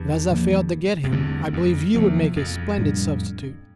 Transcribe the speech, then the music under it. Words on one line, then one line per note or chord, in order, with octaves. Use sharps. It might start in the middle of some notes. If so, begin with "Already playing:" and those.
But as I failed to get him, I believe you would make a splendid substitute.
Already playing: E2 G2
A#2 F3 A#3
F2
E2 G2 D3 A3 C4
F2
E2 C3 F3 A#3
F2
A2 G3 D4